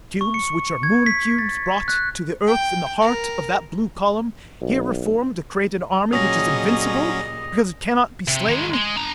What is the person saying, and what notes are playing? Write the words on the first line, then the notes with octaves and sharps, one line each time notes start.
Cubes which are Moon-cubes, brought to the Earth in the heart of that blue column, here reformed to create an army which is invincible, because it cannot be slain!
C#6
C#7
G#6
B6
A6
F#6
G5
A#4
B1
A#2 C#3 F#3 G3 C#4 D#5 D#6 A#6
C3
D#3 G#3
G#3
D4 A#5